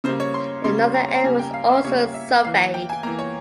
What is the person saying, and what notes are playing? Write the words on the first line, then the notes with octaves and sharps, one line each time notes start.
The northern end was also surveyed.
C#3 G3 A#3 C5
C#5
C6
C#3 G3 A#3 C6
A#5
A#5
C#3 G3 A#3 G#5
G5
F5
E5
C#3 G3 A#3 C#5
E5
E3 A#3 F5
G5
G#5
E3 A#3 A#5
C#5